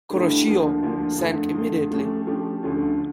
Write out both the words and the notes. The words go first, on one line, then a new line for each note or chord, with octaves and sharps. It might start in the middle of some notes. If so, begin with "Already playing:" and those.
"Kuroshio" sank immediately.
G2 D3 A3 E4 G4
D2 D3 F3 A#3 D4
D2 D3 F3 A#3 D4
F2 D3 A3
F2 D3 A3
F3 A3 C#4 G4
F3 A3 C#4 G4
D2 D3 F3 A3 C#4